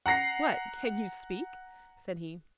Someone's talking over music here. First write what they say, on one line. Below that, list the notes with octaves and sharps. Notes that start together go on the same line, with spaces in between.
'What! can you speak?' said he.
F#5 A#5 A#6 C7